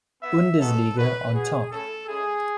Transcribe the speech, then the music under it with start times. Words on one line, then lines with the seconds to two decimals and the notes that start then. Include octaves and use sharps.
Bundesliga on top.
0.21 B3 E4 E5
0.59 G#3 B3 D#4 F#4 A4
0.96 B3 D#4 F#4 B4
1.33 B3 F#4 G#4
1.71 A3 C#4 E4 A4
2.08 G#3 C#4 E4 G#4